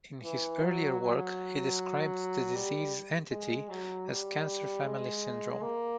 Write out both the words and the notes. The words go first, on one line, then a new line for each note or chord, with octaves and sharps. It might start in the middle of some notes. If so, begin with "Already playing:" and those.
In his earlier work, he described the disease entity as cancer family syndrome.
E3
F#3
F#3
G3
G#3
F#3
G3
G#3
A#3